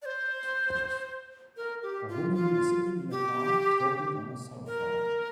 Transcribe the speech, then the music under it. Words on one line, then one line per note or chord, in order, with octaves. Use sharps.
A woman sitting in a park, talking on a cellphone.
D5
C5
A#4
G4
F4
F4
G4
A#4